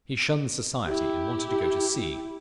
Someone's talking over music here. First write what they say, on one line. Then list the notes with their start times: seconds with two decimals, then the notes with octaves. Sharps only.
He shunned society and wanted to go to sea.
0.87 E4 G4